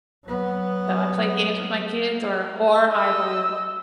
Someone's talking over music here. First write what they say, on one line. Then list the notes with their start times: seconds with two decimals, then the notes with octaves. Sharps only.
So, I play games with my kids or or I will,
0.24 F#3 B3
2.88 D#5 E6